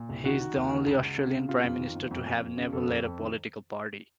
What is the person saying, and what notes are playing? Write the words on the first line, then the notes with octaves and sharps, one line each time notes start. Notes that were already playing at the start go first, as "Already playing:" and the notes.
He is the only Australian prime minister to have never led a political party.
Already playing: A#2
C2
D#3 F#4
D#3
D#2
D#3
C#2
C#2
C#3
C#3
C3 F4
F2
D#3
F2
F2
F2
F2
C#3
F2 A4
F2
F2
D#3